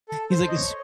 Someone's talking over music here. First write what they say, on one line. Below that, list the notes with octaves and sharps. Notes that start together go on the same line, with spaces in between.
He's, like, "It's s"
A4
C5
D#5
C#5